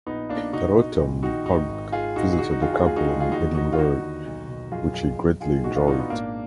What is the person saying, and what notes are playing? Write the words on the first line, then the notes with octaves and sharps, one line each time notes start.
That autumn Hogg visited the couple in Edinburgh, which he greatly enjoyed.
A#1 B3 D#4
A#1 A#3 D4
B2 D#4 F#4
B2
A#1
D#3 D#4 F#4
G#1 D#4 F#4
G#1
D#3 F4 G#4
A#1 D#4 F#4
G#4
D3 D#4 F#4
D#4 F#4
F2 F4 G#4
F4 G#4
D2 F4 G#4
D#4 F#4
D3 F4 G#4
F4 G#4
D#2 D#4 F#4
D#2 D#4 F#4
F4
D3 D#4 F#4
D#2
B1
B2
F#2 F4 G#4
F#2 F4 G#4
F#2
D#3 F4 G#4
A#2 D#4 F#4
D4 F4
A#2 D#4 F#4
B3 D#4
G#1 A#3 D4